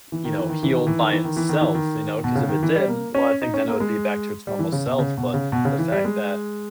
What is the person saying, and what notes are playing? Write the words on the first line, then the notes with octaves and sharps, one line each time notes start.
you know, healed by itself, you know, 'cause if it did, well, I think then it would be back to its normal self, but the fact that,
E3
D#3
E3
D#3
E3
D#3
E3
D#3
E3
D#3
E3
D#3
E3
D#3
B2
C#3
D#3
E3
G3
A#3
C#4
D#4
C#4
A#3
G#3
G3
E3
C#3
B2
C#3
B2
C#3
B2
C#3
E3
G3
G#3